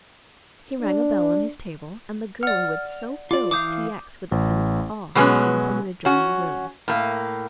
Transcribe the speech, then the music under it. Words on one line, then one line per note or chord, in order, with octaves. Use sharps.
He rang a bell on his table and the girl who had so filled T. X. with a sense of awe came from an adjoining room.
D4
D5 F#5 F6
F4 D5 D6
E3 F5 D6 D#6 G6
A1
B2 F#3 G#3 B3 C#4
C#4 F#4
A2 A#3